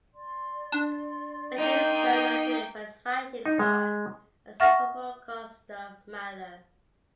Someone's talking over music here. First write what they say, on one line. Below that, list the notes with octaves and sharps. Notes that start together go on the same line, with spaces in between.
Ritter is well known today for his writings on and support for Gustav Mahler.
D5 C6
D4
A#3 D#4 G5
D#4
G#3
E5 F#5 C#6 F6 A6 A#6